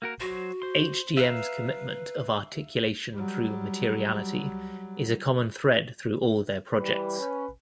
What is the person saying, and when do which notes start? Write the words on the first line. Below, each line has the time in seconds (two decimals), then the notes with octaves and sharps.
HdM's commitment of articulation through materiality is a common thread through all their projects.
0.02 A#3 F#4 A#4
0.20 F#3 F#4 C5
0.62 C5 C6
1.17 B4 E5 F5 A#5
3.14 F#3 G3
6.77 E3 G3 B4
7.17 C#4